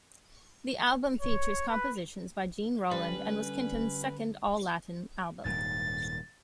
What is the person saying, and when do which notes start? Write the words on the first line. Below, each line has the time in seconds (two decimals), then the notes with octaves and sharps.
The album features compositions by Gene Roland, and was Kenton's second all-Latin album.
1.21 C#5
1.68 B4
2.91 D3 G3 C#4 B4
5.45 D#1 G#2 A6